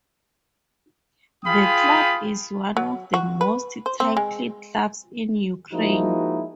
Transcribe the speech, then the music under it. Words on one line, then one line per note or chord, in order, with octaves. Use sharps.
The club is one of the most titled clubs in Ukraine.
F4 G#4 F5 G5 B5 D#6
F#3
F#4
B4
C5
C4
G#3
F3 G#3 A#3 D#4 E4 F#4